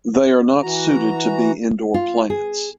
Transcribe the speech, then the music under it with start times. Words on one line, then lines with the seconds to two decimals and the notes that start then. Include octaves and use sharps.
They are not suited to be indoor plants.
0.62 E3 F#4 A#5
1.94 F4
2.30 G#4